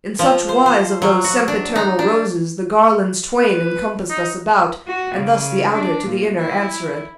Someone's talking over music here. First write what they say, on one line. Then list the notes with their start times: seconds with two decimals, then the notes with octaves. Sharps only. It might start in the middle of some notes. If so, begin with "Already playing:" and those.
In such wise of those sempiternal roses The garlands twain encompassed us about, And thus the outer to the inner answered.
0.19 F3
0.49 C5
0.66 C5
1.02 F#3
1.24 F#4
1.48 D4
1.76 D#4
1.99 D4
3.40 B4
4.10 D#4
4.87 F#4
5.16 C#3
5.74 D4
6.07 A#2
6.39 E4